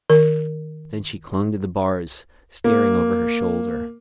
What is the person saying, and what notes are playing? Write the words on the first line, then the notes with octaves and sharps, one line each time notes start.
Then she clung to the bars, staring over her shoulder.
D#3 A#4
A#3